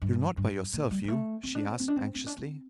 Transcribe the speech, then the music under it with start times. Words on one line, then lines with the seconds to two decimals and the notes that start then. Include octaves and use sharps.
"You're not by yourself, Hugh?" she asked anxiously.
0.02 G2
0.37 G2
0.73 A#2
0.91 G3
1.04 G3
1.08 A3
1.43 C4
1.55 D4
1.66 C4
1.80 C4
1.88 D4
1.96 C4
2.15 C4
2.26 D4
2.37 C4